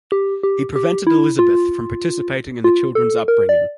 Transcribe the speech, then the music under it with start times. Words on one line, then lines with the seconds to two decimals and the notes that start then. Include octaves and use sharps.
He prevented Elizabeth from participating in the children's upbringing.
0.12 G4
0.43 G4
0.76 G4
1.07 E4
1.39 F4
2.64 F4
2.95 A4
3.28 A#4
3.49 D5